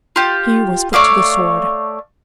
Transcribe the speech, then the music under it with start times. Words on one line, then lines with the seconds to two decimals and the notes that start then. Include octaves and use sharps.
He was put to the sword.
0.16 F4 G4
0.93 A3 C#5 D5 F5